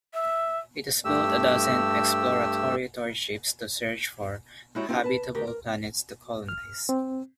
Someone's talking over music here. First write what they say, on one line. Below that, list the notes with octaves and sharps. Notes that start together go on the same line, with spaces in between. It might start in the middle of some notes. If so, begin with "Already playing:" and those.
It has built a dozen exploratory torchships to search for habitable planets to colonize.
E5
G2 A3 G4 E6
G#3 D#4 E4 F#4 G4 C#5
C4 C#4 D#4 F4 G4 C5
B4 A5
D2 G4 A#4
A#4
F6
C4